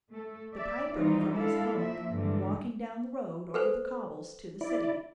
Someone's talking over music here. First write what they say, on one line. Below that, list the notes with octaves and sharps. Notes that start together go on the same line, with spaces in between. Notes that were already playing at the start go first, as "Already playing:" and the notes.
The Piper, from his hillock, walking down the road, over the cobbles, to the city.
A3 A4
D5 E5
D#3 E3 G3 C4 D#4 F4
G#3 D4 E4 A4 F5
F3 A#3 E5
G2 D3 E3 G3 G#3
A4 B4 C5
E4 D5